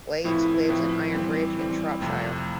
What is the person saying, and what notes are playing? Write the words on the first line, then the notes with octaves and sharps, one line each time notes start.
Blades lives in Ironbridge in Shropshire.
A2 F3 C4 E4 B4
A2 F3 C4 E4 B4
E3 G3 C4
E3 G3 C4
F2 C3 F3 A3